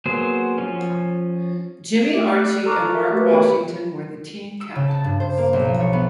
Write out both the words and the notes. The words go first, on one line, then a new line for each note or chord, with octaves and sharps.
Jimmy Archie and Marc Washington were the team captains.
F#3 A#3 B3 G#4 C5
F3 C#4
A3 G4
D5 F#6 C7
A4 A#5 C#6 D6 F6 F#6
A#4 E5
A3 F#4 G4 B4
B3 G4 A#4 B4 C#5 B5
E6
C#3
A5
G2
C5
A#3
B1
F3
C#5
B3